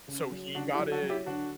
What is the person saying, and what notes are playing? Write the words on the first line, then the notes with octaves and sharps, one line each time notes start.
So, he got it
C#3
F#3
C#3 D4 F#4
E4 G4
F#3
F#4 A4
F#3
E4 G4
D3 D4 F#4